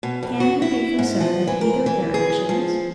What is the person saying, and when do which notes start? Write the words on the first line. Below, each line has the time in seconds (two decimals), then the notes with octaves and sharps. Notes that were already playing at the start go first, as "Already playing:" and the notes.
Can he be concerned in either of their actions?
0.03 B2
0.23 F2
0.40 F#4
0.62 E4
0.99 G#2
1.20 F3
1.47 E3
1.61 A#4
1.86 E3
2.14 G#4
2.49 F3